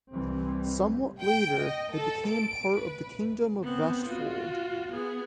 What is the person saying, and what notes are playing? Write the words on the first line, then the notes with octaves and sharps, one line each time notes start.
Somewhat later, it became part of the kingdom of Vestfold.
C2 E3 G3 C4
G5
D#5
A4
D7
B4
B3 C4
F4 F#4
B3 G#4